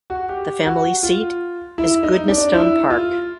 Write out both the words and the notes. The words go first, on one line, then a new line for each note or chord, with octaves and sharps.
The family seat is Goodnestone Park.
F#4
G4
F#4
F4
E4
D#4
D4
E4
F4